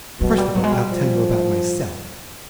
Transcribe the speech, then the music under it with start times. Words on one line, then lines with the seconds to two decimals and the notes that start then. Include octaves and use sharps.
First of all I'll tell you about myself.
0.20 B2 F#3
0.38 G3
0.55 B2 F#3
0.64 G#3
0.72 G3
0.89 F3